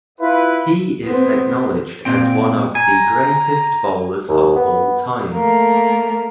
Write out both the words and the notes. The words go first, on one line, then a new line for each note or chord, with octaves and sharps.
He is acknowledged as one of the greatest bowlers of all time.
E4 F4 B4
B3 C4
A#2 C4 G5
G#5 A#5
D#2
B3
A3 A#3